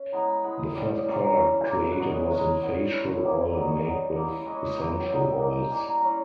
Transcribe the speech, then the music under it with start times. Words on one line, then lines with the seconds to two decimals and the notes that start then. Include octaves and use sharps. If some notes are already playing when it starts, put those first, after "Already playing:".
The first product created was an facial oil made with essential oils.
Already playing: C#4
0.12 G#3 B3 E4 A#5
0.28 B5
0.43 G#3 B3 E4 B5
0.59 D#6
0.75 G3 C#4 E4
1.06 G3 A#3 C#4 E4
1.22 A#5
1.29 G#5
1.36 G3 C#4 E4 G5
1.67 A#3 E4 E5
1.83 D#5
1.92 B4
1.98 G3 B3 D#4 C#5
2.14 G#4
2.29 G#3 C#4 E4 A#4
2.60 G3 B3 E4
2.91 G3 C#4 E4 B4
3.22 G3 A#3 C#4 E4
3.53 G3 B3 D#4
3.69 C#5
3.84 G3 B3 D#4
4.16 A#3 E4
4.46 G#3 C#4 E4 D#5
4.55 C#5
4.64 D#5
4.77 A#3 C#4 E4
5.00 G5
5.09 G3 B3 D#4 E5
5.17 G5
5.24 E5
5.39 A#3 D#4 G5
5.70 G3 A#3 E4 G#5
5.86 A#5
5.96 A#5
6.02 G3 C#4 E4 B5